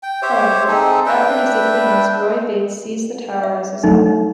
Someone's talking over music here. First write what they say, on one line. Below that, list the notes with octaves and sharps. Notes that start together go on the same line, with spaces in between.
However, after disagreements, Roy Bates seized the tower as his own.
G5
G4 C5 C#5 E5
C4 D#4 G#4 A4
D4 B4 E5 G5
E5
F#3 A3 D#4